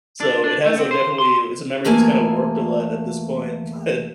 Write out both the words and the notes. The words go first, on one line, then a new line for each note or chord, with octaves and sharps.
So it has, like, definitely it's a memory that's kinda warped a lot at this point. But
D4
D4
A3
C4
C5
C6
E2 A3 A#3 G#5